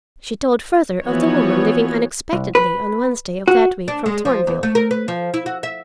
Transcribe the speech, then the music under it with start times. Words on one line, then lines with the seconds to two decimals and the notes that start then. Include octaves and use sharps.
She told further of the woman leaving unexpectedly on Wednesday of that week from Thornville.
1.05 E3 F3 B3 F#4 C#5
2.33 C2
2.55 B4
3.48 F#4
3.88 D4
4.06 G#3
4.25 F3
4.47 E2
4.63 A3
4.75 A#4
4.91 B4
5.08 F3
5.34 E4
5.46 F#4
5.63 E5